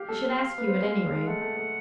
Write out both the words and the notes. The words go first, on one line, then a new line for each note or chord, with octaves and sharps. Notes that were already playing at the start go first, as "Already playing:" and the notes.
I should ask you at any rate.
Already playing: G4 F5
A4
B3
C4
G#3
G#3
A3 F#5
A3
A3